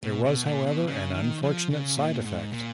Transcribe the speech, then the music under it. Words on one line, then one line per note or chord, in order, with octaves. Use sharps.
There was, however, an unfortunate side effect.
B2
B2
A#2
B2
C#3
D#3
F3
C#3
A#2
G#2
A#2